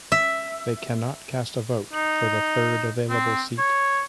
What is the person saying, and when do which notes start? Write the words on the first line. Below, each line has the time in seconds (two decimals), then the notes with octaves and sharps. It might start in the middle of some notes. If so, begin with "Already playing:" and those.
They cannot cast a vote for the third available seat.
0.12 E5
1.93 D#4
3.10 C4
3.58 C#5